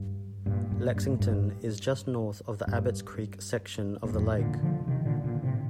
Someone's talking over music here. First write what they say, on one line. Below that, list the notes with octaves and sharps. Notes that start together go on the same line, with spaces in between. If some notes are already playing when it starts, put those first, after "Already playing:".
Lexington is just north of the Abbotts Creek section of the lake.
Already playing: G2
G2 A#2
G2 A#2
G2
A2
G2
G2
A#2
F2 A2
A#2 D3
D3 F3
C3 D#3
A#2 D3
A#2 D3
A2 C3